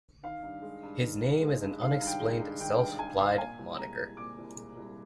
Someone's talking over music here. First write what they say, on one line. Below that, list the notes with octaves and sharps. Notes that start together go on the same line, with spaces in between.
His name is an unexplained, self-applied moniker.
D#3 F5
G2
G#3
G2
D#3
G2
G#3
G2
D#3 F5
G2
G5
G#3
G2
D#3 G5
G2 G5
G#3 G#5
G2 F5
A#2 G#5
C2
G#3 A#5
C2
A#2 D6
C2
G#3
C2